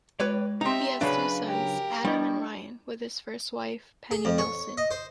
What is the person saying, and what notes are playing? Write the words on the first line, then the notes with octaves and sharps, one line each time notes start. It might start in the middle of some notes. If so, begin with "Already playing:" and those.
He has two sons, Adam and Ryan, with his first wife, Penny Nelson.
G#3 B4 C#5 D5
C4 D#4 G4 E5 A#5 F7
C#3 F#3 D4 B4 C#5 F5
G4 A#4
G3 D4 E4 D#5
G#4
F2
C#5
D#5
C5